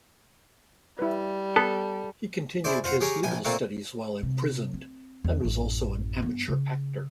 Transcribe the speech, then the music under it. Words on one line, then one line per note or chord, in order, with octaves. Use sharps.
He continued his legal studies while imprisoned, and was also an amateur actor.
G3 E4 B4
B3 A4
C#3 E4 C5 D5
F4 C5 F#5 A#5
G4 G#4 A#4 C#5
A#1 G5 G#5
A#2 A3 A#3 C4
C3
C4
E2
A1 F#2
G2 B3
C#3